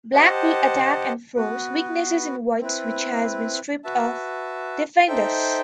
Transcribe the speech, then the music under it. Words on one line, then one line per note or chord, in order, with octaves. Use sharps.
Black will attack and force weaknesses in White's which has been stripped of defenders.
G4 C5 D#5 F#5 A5
B3 F#4 B4
C4 E4 B4
F#4 B4 E5 A5
D#4 A4 C5 E5 G5